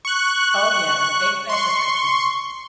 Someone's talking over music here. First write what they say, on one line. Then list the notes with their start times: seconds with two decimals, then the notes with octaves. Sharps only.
Oh, yeah. Eggplants are tricky.
0.05 C#6 F#6
1.49 C6 C#6